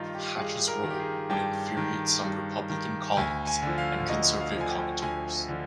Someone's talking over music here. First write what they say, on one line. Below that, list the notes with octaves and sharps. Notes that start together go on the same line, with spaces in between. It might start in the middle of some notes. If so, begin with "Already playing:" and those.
Hatch's role would infuriate some Republican colleagues and conservative commentators.
Already playing: G2 D#3 D#4 F4
G4
G2 G#4
A#4
D#3
G4
G#4
G2 G5
D#3
G2
D#3
G5
D2 G#5
G#5
D3 F3
F5
D2 D#5
F5
D3 F3 G#5
G5
D2 G#5
D3 F3